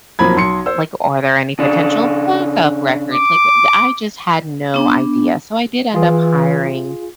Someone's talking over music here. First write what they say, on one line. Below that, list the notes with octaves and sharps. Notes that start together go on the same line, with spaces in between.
like, are there any potential backup records, like, i I just had no idea, so I did end up hiring
B1 F3 A#3 C4 B5 G#6
B1 C6 C#7
C5 E6
C#3 D4
D6
B3 D4
E3 F4 G#4